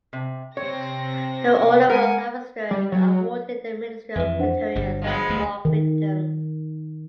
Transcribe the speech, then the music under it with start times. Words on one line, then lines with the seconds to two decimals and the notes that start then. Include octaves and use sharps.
The order was administered and awarded the Ministry of Veterans and War Victims.
0.13 C3
0.57 C3 C4 C#5 A#6
1.90 G#3 A#4 B4 F#5 G#5 C#7
2.71 G3
2.92 F#3
4.16 F2 E3 B4 E5
4.39 D4 C5 F#5
4.75 G1 G3
5.02 F3 G#3 B3
5.30 D2 A3
5.65 D#3